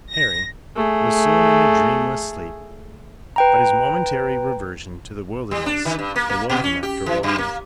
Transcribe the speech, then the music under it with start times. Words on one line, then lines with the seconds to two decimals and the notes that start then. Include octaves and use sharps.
Harry was soon in a dreamless sleep, but his momentary reversion to the wilderness awoke him after a while.
0.12 A#6
0.75 A3 G#4
3.36 B4 G5 A#5
5.51 G3
5.66 D4
5.85 D#3
5.99 G2
6.16 A#3
6.29 A#3
6.49 A#2
6.64 C#4
6.83 G4
7.06 E3
7.23 F#2
7.38 A#3